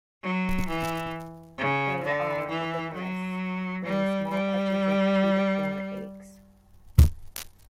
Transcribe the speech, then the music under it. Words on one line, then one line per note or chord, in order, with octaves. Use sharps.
They are oviparous, laying small clutches of two to four eggs.
F#3
E3
C#3
D3
E3
F#3
G3
G3